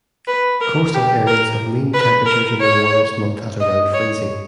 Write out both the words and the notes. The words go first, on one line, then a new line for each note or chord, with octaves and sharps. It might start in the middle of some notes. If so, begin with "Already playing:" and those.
Coastal areas have mean temperatures in the warmest month at around freezing.
B4
A#4
G4
A#4
B4
A#4
C#5
D#5
C#5